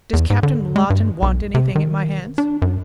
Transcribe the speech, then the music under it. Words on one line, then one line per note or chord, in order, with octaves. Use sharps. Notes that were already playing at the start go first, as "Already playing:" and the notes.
"Does Captain Lawton want anything at my hands?"
E2
G#2
D3
G#3
G2
B1
C3
D#3
D4
F#2